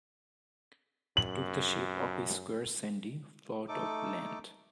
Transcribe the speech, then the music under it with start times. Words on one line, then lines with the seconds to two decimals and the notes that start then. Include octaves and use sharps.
Took the shape of a square sandy plot of land.
1.17 F#2 F#7
3.68 A3 D#4 A4 D6